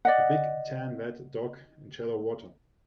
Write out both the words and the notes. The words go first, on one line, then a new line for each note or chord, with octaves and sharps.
A big tan wet dog in shallow water.
D5 D#5 F#5